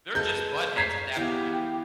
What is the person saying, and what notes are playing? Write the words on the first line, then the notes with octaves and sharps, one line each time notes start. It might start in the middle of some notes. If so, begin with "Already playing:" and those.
they're just buttheads at that point.
G#3 G#4 A4 B4 G6
C#5 G#6 B6 C7
E3 B3 G4 F5